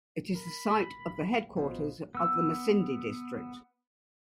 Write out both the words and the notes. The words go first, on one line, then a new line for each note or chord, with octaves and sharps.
It is the site of the headquarters of the Masindi District.
A#4 B5
A#1 B2 F4 C5
B3 E6